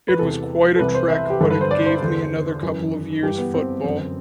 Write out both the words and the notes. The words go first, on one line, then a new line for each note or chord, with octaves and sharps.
It was quite a trek but it gave me another couple of years football.
B4
E2 C3 E3 A4
A4
C2 C3 E3 B4
C5
E5
G4
G2 D3 A4
B4
C5
D5
C5
E2 D3
F#2 E3
G2 E3 G4
B3
C4
F#2 D3